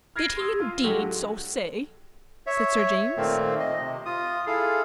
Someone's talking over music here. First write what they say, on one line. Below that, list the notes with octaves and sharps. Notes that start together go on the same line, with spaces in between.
"Did he indeed so say?" said Sir James.
F6 G#6 A#6 C7 D7 D#7
C6 D#6 E6
F4
D3 F#3 G#3 A3 F#4 G4
C#5 E5
A#2 D#3 A3 A#3 C4
D#5
C3
F4 D#6
E4 G#4 A4 F5